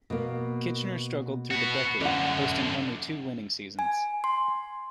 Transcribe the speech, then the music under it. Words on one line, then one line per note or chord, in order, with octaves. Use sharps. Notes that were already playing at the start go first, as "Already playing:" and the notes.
Kitchener struggled through the decade, posting only two winning seasons.
B2 A#3
B3 F#4
F#2 D3 D5 F#5
G#5
C6